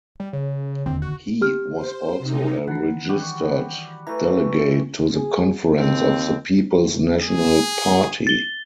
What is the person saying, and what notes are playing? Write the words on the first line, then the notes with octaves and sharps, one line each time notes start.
He was also a registered delegate to the conference of the People's National Party.
G3
C#3
E1 D#2 D3 C4
F#4
G4 F6
C5
C3 D#4
D#3 E3 F#5
G3 F#4 G4
E3 A3 A#5
G#4
D#2 C4
G#4
A6 G7